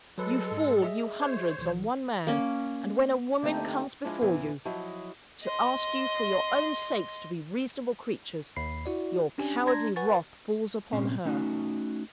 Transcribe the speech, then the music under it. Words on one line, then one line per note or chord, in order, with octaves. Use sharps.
You fall--you hundreds--on one man; and when a woman comes before you, to ask you for your own sakes to be reasonable creatures, your cowardly wrath falls upon her!
F#3 G#3 A4 B4
G#2
G#4 D#5 E5
C5 C#5
B1 E3
A#3 C#4
D3 A3 A#3 C4 D#4 G4
F3 G#3 D4 E4 F4
E2 A#2 E3
F3 F#3 E4 D#5
D#5 C6
D#2 B5 C7
E4 F#4 D5
C#4 D4 G4 G#5
D4 A#5 C6 G#6 A#6
B4 F#5 G#5 C#6 A6
A#2 C4 C#4
A3 C#4 D#4 F#4